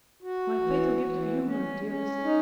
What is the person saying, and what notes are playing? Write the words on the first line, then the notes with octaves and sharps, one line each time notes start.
"My fatal gift of humour, dearest."
F#4
E3
E3
C#4
C#4
D#4